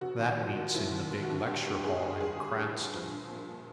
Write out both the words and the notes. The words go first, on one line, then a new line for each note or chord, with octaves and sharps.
That meets in the big lecture hall in Cranston.
F1 F#4
D#2
F3
D#2
F1 E4
D#2
D#2
F#4
D3
G1 G4
G2
G1 G#4
G1
G1 G#4
G1
G2
G1
F3
A#1
A#2